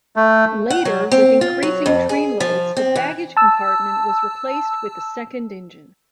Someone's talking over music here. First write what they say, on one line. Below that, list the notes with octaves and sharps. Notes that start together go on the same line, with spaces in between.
Later, with increasing trainloads, the baggage compartment was replaced with a second engine.
A3
F#5
F#3
C4
F4
F#3
F2
G#4
F3
C4
E3
A5 E6